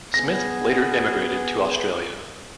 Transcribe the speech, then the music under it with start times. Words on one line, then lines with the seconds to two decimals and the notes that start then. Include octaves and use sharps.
Smith later emigrated to Australia.
0.14 B3 G#4 A#6